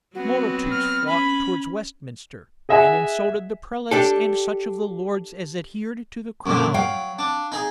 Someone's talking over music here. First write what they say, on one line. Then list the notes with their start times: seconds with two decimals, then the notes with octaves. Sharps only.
Multitudes flocked towards Westminster, and insulted the prelates and such of the lords as adhered to the crown.
0.15 F#3 B3 C4 F#4
0.71 F6
1.07 C#4 B5
2.69 G#4 D#5 E5 F#5 G#5
3.91 D4 G4 A4
6.46 F#2 A#2 D3
6.74 F#3 F5 G5
7.19 D4
7.52 D#4 G#4